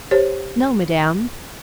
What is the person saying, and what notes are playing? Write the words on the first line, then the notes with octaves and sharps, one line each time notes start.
"No, Madame."
G4 C5 C#5